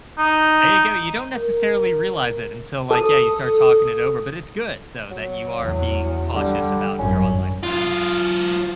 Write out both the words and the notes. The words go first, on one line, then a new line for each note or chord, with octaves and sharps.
There you go, you don't necessarily realize it until, like, yeah, you start talking it over, but it's good, though, that you are being cautious about your online presence.
D#4
A#4
A4 D#6
F#3
E2
D3 G3
G#1 F#2 C#4
F#3 F4